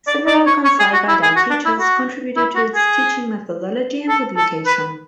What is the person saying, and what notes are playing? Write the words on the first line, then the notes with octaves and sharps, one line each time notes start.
Several Kansai Gaidai teachers contributed to its teaching methodology and publication.
D5
D5
C#5
C#5
G#4
F#4
E4
G#4
F#4
D4
E4
F#4
E4
F#4
G#4
A4
A4
B4